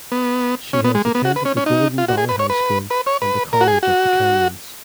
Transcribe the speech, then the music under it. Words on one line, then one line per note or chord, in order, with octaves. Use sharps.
She has attended the Golden Valley High School and the College of the Canyons.
B3
C#4
B3
G#3
A#3
B3
F#4
B4
C#4
C#4
D#4
F4
F#4
G#4
B4
C#5
B4
B4
C#5
B4
A#4
F#4
G#4
F#4